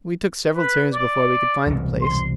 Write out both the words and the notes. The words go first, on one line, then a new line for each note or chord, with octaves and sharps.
We took several turns before we could find the place.
B4
D5
E1 C2 F2
C6